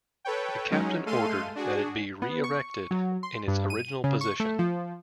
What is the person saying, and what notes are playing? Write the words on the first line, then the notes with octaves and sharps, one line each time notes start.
The Captain ordered that it be re-erected in its original position.
A4 B4 C#5 G5
F#3 G#3 C#4 D#4
G#3 A3 A4 F5 C6 D#7
D4 F#4 G#4
B3
C#6
F#3
C6
G2
D#7
C#3
C#6
A3
F3